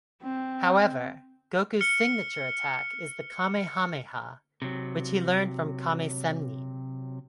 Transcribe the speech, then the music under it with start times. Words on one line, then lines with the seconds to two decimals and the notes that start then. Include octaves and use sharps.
However, Goku's signature attack is the "Kamehameha", which he learned from Kame-Sen'nin.
0.22 C4
1.81 F6 C#7 G7
4.62 C3 F#3